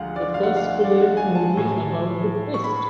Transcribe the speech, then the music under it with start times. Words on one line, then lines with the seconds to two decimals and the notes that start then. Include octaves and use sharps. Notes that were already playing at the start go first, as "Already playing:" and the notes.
The first full-length movie about the Twist!
Already playing: D2 D3 F3 G#3 F5 F#5
0.16 D5
0.34 F5
0.43 F#5
0.57 F5
0.71 F5
0.84 D5
0.98 F#5
1.17 G#5
1.35 A5
1.54 A2 F#3
2.54 C#6
2.64 B5